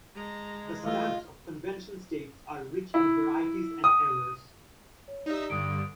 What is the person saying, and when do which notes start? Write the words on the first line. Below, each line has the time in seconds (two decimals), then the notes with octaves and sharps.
The stamps of convention states are rich in varieties and errors.
0.15 G#3 A5 A#5
0.84 E3 A3 F4 D#5
2.94 E4
3.84 D#6
5.08 C#5
5.26 D#4 G4 D5 E5
5.50 G2 D3 D#6 D7